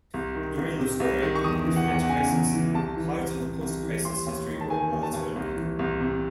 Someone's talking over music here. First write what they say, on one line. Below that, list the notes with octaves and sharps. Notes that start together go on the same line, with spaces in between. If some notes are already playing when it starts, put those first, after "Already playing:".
During the story "Infinite Crisis", parts of the Post-Crisis history were altered.
C2
D#3
C2
C3
C2
D#3
C#6
E2 D#6
E3
F#5
E2
F#5
C#3 G#5
E2
E3
C2 A5
E3
C2
C3
C2
E3
D#2 C6
D#2
D#3
A5
D#3 G#5
D#2
A5
D#2
C2
E3
C2
C3